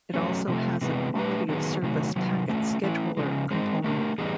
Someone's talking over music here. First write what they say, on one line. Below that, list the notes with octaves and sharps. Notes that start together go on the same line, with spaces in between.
It also has a Quality of Service Packet Scheduler component.
F#3 A3 C#4
C3 F3 A3
C3 E3 G#3 B3
A3 D4 G4 B4
D#3 F#3 B3 D#4 G#4
C3 D#3 F#3 A3
C3 D#3 F#3
A3 C#4 F4 G#4
E3 A3 C#4 E4
C#3 F3 G#3
G#3 C4 D#4
A3 D4 G4 A#4
E3 G3 B3 D#4 G#4